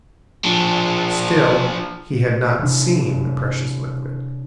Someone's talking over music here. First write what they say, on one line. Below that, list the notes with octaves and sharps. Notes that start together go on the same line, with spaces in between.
Still he had not seen the precious liquid.
F3 D4
C3 E3 D4